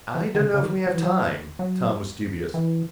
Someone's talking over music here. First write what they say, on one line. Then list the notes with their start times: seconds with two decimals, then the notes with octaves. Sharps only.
"I don't know if we have time." Tom was dubious.
0.15 E3
0.35 D#3
0.39 C#3
0.54 C#3
0.62 D#3
0.87 F#3
0.95 E3
1.03 F#3
1.59 F#3
2.54 E3